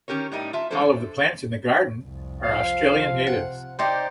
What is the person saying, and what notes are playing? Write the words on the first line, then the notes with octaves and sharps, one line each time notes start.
All of the plants in the Garden are Australian natives.
D#3 C#4 G4 A#4 C#5
A2 G3 D#4 G4 D#5
F4 E5 A5
E3 G3 G#3 D4 A4 C5
A4
C2 F2
F3 F5
C3
F#5
D#4 G4 C5 D5